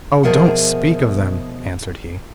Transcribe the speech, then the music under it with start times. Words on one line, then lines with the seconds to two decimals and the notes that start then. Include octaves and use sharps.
'Oh! don't speak of them,' answered he.
0.23 B2 F3 G#4 A#4 E5 F#5